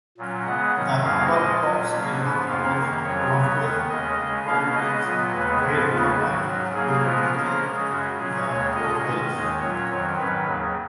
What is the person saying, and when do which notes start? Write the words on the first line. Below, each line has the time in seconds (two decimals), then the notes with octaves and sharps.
The upper Fox River flows northwest from its headwater to within the Portage.
0.18 A#2 F#3 C#4
0.46 C#3 G#3 B3 F#5
0.75 G#2 D#3 F#3 C#4
1.03 F2 C#3 F#3 A#3 C#4 F5
1.31 A#2 F3 G#3 D#5
1.60 A#2 F#3 C#4
1.89 B2 F#3 A#3 C#4
2.18 G#2 F3 B3
2.46 F2 F3 A#3 C#4 F5
2.75 F#2 D#3 A#3 C#4
3.03 F2 C#3 F#3 C#4 C#5
3.32 C#3 F#3 B3
3.61 D#2 D#3 G#3 B3
3.89 D#2 C#3 G#3 C#4 D#5
4.18 C#3 G#3 C#4
4.46 B2 A#3 C#4 F5
4.74 C#3 G#3 B3 D#5
5.04 A#2 F#3 B3
5.32 D#2 C#3 G#3 B3 B4
5.60 G#2 F3 B3 G#4
5.89 D#2 C#3 G#3 B3 F4
6.18 G#2 D#3 F#3 F#4
6.46 G#2 F#3 C#4
6.75 C#3 F#3 A#3 C#4 G#4
7.03 A#2 F3 G#3 B3 A#4
7.32 C#3 F3 A#3 C#4
7.61 C#3 G#3 C#4
7.89 F#2 C#3 G#3 C#4 F#4
8.18 A#2 F#3 C#4 G#4
8.46 D#2 C#3 G#3 C#5
8.75 A#2 G#3 C#4 D#5
9.03 G#2 D#3 G#3 C#4 D#5
9.32 D#2 D#3 G#3 C#4
9.61 A#2 F#3 C#4 C#5
9.89 F2 D#3 F#3
10.18 G#2 D#3 F#3 C#4 B4
10.46 D#2 C#3 F#3